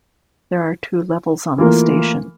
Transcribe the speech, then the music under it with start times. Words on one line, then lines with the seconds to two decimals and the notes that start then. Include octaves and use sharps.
There are two levels on the station.
1.58 E3 A3 A#3 F4 A#4